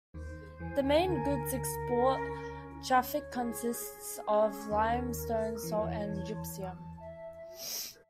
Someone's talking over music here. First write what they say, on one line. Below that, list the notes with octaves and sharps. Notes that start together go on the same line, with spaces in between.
The main goods export traffic consists of lime stone, salt and gypsum.
D#2 D#3 C5
E2 E3 G#5
D#2 D#3
C#3
D2 D3 A#4
A#4
C#4
C#4
C#5
G#4
G#4
C#4
D#2 D#3 A#4
A#4
E3 C#5
F3
E2 E3
A5
A5
E5